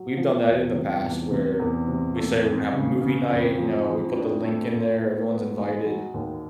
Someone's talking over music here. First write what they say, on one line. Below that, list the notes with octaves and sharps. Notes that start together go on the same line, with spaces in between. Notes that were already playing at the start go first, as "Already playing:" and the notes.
we've done that in the past where we say we're gonna have a movie night. You know, we put the link in there, everyone's invited.
Already playing: F#3
F3
E2
C3
E2
C3
E2
C3
A3
F2
C#3
C#3
F2
F3
F3
D4
A3
A#2
B3
B3
G#3
F#3
D#2